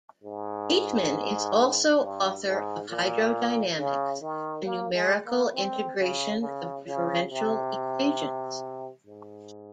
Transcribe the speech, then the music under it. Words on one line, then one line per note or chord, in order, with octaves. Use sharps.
Bateman is also author of "Hydrodynamics" and "Numerical integration of differential equations".
G#2
G2
G#2
A#2
C#3
D#3
A#3
G#3
A#3
C4
C#3
C#3
C#3
C3
G#2